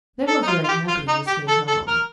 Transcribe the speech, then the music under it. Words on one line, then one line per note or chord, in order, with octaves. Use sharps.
They were very happy in this new home.
A4
D#4
F4
F4
G4
F4
D#4
G4
A4
A4
A#4